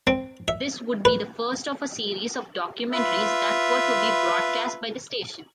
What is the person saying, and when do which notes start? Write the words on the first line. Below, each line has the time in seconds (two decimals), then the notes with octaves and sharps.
This would be the first of a series of documentaries that were to be broadcast by the station.
0.07 C4
0.48 E5
1.05 B4
2.92 F4 B4 E5